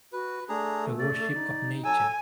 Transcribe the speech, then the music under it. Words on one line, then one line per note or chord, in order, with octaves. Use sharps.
The Worship of Nature.
F#4 B4
A3 D4 G#4 A#5
D5
D#4
F#3 A4 G#5 E6